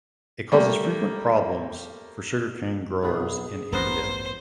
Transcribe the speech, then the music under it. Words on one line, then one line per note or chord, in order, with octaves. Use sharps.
It causes frequent problems for sugarcane growers in India.
G3 A3 A#3
B1 B3 G#4
A1 G2 B3 A#4 C5